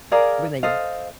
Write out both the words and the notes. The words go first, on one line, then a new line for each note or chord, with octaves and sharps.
when they
G#4 A#4 D5 F5
A4 C5 D#5 F5